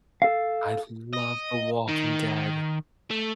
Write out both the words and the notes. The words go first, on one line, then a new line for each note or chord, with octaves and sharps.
I love The Walking Dead.
A4 F5
D#5
D#3
A3